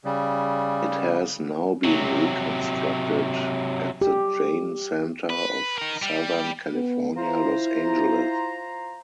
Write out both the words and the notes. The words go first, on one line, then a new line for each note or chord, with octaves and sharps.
It has now been reconstructed at the Jain Center of Southern California, Los Angeles.
C#3 G3
C3 F#3
G4
B4
D#4 A#4
G3
B3
E4 F4 C5 A#5